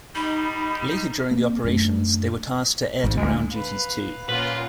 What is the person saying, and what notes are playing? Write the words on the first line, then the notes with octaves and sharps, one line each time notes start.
Later during the operations, they were tasked to air to ground duties too.
G3 D#4 B5
A#3 C4
F#2 A3 D4
G#1 G#2
D2 G#3
B4 F5
A#2 A#3 C#4 F4 B4 F#5